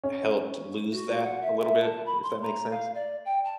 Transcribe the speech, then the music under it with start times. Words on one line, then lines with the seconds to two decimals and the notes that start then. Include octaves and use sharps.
helped lose that a little bit, if that makes sense
0.04 C#4
0.93 F#4
1.22 F#5
1.42 E5
1.62 E5
1.81 A5
2.06 B5
2.22 C6
2.42 A#5
2.71 F5
2.94 D5
3.25 G5
3.45 A5